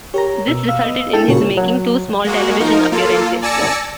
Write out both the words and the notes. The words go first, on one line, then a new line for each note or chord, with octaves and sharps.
This resulted in his making two small television appearances.
G4 A#4 C#5 A#5
B2 E6
F5 E6
B3 D#5
D4 E4 A4 G5
A#2 C#3 F#4 A#4 C#5
F#3
G#3 A#3 F#4
F3 D#4 A#4
A#3 F4 A4
D5 G#5 A5 E6 A#6 C#7